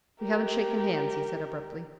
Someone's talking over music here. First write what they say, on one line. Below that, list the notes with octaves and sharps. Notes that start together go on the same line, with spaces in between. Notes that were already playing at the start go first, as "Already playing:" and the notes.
"We haven't shaken hands," he said, abruptly.
G4 A#4